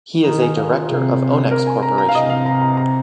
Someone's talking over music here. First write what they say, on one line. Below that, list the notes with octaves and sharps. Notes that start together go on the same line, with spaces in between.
He is a director of Onex Corporation.
D#3 A#5
G#5
F5
F4
C3 G#4
A#4
G#5
A#5
A#5
F5
C3 D#5
F5
A#5
A#5
A#5